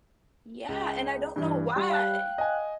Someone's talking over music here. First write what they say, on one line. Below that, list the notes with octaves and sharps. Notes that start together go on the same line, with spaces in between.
Yeah, and I don't know why.
C#2
G2 E3
G3
F5 G5 F#6
D#5 G#5